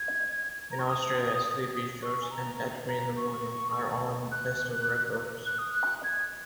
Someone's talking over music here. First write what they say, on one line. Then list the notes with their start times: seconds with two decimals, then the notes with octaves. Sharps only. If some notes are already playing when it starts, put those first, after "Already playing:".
In Australia, "Sleepy Shores" and "Touch Me in the Morning" are on Festival Records.
Already playing: G#6
0.71 A#5
0.79 C#6
0.87 D#6
2.02 C#6
2.22 G#5
2.31 A#5
2.88 A#5
3.17 C#6
4.32 F#6
5.46 F#6
5.59 D#6
5.71 F#6
6.04 G#6